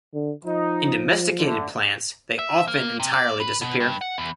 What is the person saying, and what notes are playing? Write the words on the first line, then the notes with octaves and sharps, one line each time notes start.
In domesticated plants they often entirely disappear.
D3
F3 D#4
D3 A3
E5
A#3
C3
D5
B4
B2
G2
F#5
E2